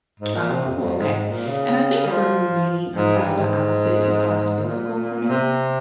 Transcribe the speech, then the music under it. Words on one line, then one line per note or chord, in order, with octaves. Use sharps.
Oh, oh, okay. And I think for me, I'm kinda the opposite. It starts physical for me.
G#2
A#2
C3
F2
G2
F2
G#2
G#2
A#2
C#3
G3
F3
G#2
G2
G#2
A#2
C3